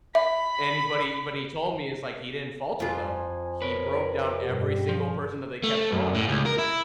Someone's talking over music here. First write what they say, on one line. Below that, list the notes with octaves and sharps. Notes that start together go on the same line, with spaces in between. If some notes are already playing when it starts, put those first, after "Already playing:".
And he but he but he told me it's like he didn't falter though, he broke down every single person that they kept throwing at him.
E5 B5
F2 F4 G#5
A#4 B4 C#5
G2 B2 G4
F3
A3
F#2
A2
C#2
A#4
E4